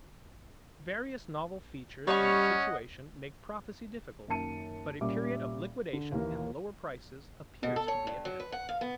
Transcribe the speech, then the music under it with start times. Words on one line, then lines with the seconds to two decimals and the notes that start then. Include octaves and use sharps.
Various novel features in the situation make prophecy difficult, but a period of liquidation and lower prices appears to be at hand.
2.07 G3 C#4 C#5 D#5 F#5 C#6
4.28 F#2 D#3 A#3 A5 C#7 D#7
5.01 A#2 G3 C#4 E5 D6
5.93 D3
6.12 D#2 E3 A#3
7.63 B2
7.76 A4
7.88 C#5
8.07 G2
8.25 F#3
8.40 B4
8.52 F#5
8.69 F5
8.81 B3